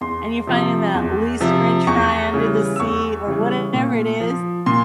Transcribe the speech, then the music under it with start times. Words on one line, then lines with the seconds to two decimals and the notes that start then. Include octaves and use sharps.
and you're finding that loose French fry under the seat or whatever it is,
0.01 E2 C6
0.47 C3 F3
0.94 E2
1.41 C3 F3
1.87 E2 C#6
2.34 C#3 E3 G3
2.76 E6
2.80 E2 C#6
3.27 C#3 E3 G3
3.73 A#2
4.20 F3
4.66 A#2 C6